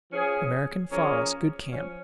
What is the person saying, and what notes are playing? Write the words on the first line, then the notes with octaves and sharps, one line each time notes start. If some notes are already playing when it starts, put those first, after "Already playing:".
American Falls.--Good camp.
F3 C#4 G#4
F3 A#3 C#4 G#4
F3 C#4